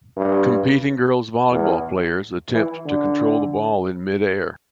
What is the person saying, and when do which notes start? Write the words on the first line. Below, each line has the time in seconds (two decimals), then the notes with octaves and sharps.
Competing girls volleyball players attempt to control the ball in midair.
0.17 G2
1.51 E2
2.52 E3
2.86 D3